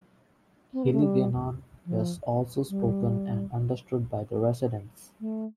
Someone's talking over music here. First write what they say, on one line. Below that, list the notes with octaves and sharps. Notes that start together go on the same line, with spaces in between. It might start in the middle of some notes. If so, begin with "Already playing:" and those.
Hiligaynon is also spoken and understood by the residents.
C4
B3
A3
G3
F3
G3
A3